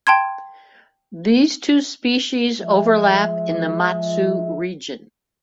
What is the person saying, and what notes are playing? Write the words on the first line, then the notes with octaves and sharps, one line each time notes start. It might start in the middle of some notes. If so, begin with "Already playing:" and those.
These two species overlap in the Matsu region.
G5 A5 C6 G#6
F3 G#3 E5